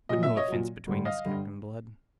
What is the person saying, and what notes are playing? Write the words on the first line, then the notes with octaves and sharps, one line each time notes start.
"But no offence between us, Captain Blood!"
A#2 F#3 D#5
E5
C#5 D#5
A#2 F#3
G2 D3 G3
D#5 F5
G2 D3 G3